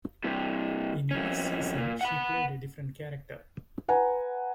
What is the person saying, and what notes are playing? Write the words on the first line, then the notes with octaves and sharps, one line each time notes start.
In each season she played a different character.
G2 C3
F2 C#4
A#2
F#5 B5
B4 F#5 G#5 A#5